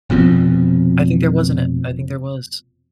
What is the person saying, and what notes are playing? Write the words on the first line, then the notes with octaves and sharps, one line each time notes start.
I think there wasn't it I think there was.
F1 B2 F3 C4